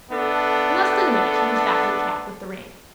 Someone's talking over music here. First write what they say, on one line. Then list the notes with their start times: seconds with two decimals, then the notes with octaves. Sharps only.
In less than a minute he was back in the cab with the ring.
0.12 A3 B3 D4 A4